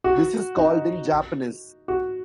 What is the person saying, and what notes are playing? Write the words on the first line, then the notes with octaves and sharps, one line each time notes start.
This is called in Japanese.
F#4
D#4
F#4